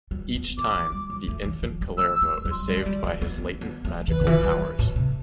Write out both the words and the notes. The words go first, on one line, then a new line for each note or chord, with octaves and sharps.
Each time, the infant Kullervo is saved by his latent magical powers.
G3
B3
A3 D6
A3
G3
G3
A3
E3
F3
G3
A3 E6
E6
A3
E6
G3
C6
G3 D5
A3
G3
A3
B3
A3
B3
A3
E3 B4
D3
E3
G3
A2
C3